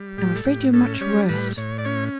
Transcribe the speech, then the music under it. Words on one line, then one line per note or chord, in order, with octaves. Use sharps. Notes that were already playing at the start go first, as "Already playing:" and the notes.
'I'm afraid you're much worse.
Already playing: G3
A2 G4
A4
A2 G4
C#4 A4
G3 C#5
A2 B4
A2 C#5
D5
C#4 C#5